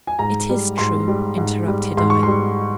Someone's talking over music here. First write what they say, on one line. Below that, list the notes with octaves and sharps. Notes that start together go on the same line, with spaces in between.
'It is true,' interrupted I.
G#5
G#2 A#5
G3
G#2 C6
G3
G#2
G3
G#2 C6
C#6
G3 C6